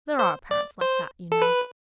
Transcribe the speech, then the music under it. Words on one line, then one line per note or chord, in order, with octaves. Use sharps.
There are parents like that, you know.
C5
D5
C5
A4
B4